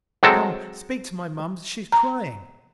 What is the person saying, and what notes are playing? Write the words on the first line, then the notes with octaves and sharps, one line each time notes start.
"Come ... speak to my Moms; she is crying."
F#3 G#3 C4 A4
A#5